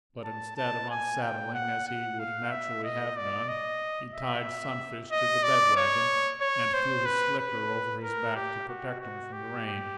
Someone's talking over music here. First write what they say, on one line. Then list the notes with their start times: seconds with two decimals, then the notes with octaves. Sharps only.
But instead of unsaddling, as he would naturally have done, he tied Sunfish to the bed-wagon and threw his slicker over his back to protect him from the rain.
0.24 A5
0.56 A5
0.90 G#5
1.22 G5
1.54 F#5
1.87 F#5
2.19 F5
2.51 E5
2.84 D#5
3.16 D5
3.49 D#5
4.14 E5
5.11 D#5
5.43 D5
5.77 C#5
6.41 C#5
6.73 C5
7.05 B4
7.39 B4
8.03 A#4
8.36 G4
8.69 F#4
9.01 F#4
9.32 G4
9.65 G4